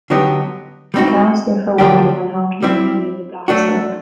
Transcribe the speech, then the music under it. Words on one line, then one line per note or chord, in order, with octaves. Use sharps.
Accounts differ widely on how to make and use a 'black stone'.
D3 F#3 B3 D#4 G4
G3 C4 D#4 F#4
D3 F3 A#3 D4 G4
G3 C4 E4
F#3 A3 D4 F#4